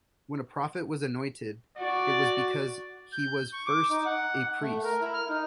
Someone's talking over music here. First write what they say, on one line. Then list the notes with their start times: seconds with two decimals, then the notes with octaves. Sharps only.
When a prophet was anointed, it was because he was first a priest.
1.78 F#4 D5
3.12 G6
3.53 C#6
3.66 D6
3.90 D#4
4.05 F#5
4.62 A3
4.84 A#4
5.02 E4
5.14 F6
5.29 D#4